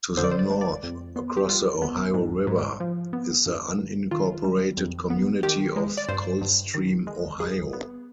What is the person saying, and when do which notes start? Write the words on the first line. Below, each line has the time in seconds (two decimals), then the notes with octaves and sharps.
To the north, across the Ohio River, is the unincorporated community of Coldstream, Ohio.
0.17 D3 C5
0.24 D5
0.31 C5
0.39 D5
0.50 G#3
0.61 D5
0.83 F2
1.16 B3
1.37 G4
1.49 G3 F4
1.82 B3
2.14 G#2
2.47 G#2
2.80 F3
3.13 B3
3.46 G2
3.78 G2
4.11 D#3 F4
4.44 G3
4.77 F2
5.10 B3
5.43 D#3 G4
5.76 G#3
5.97 D5
6.09 G2 C5
6.42 G2
6.74 D#3
7.07 G#3
7.40 G2 G#4
7.73 B3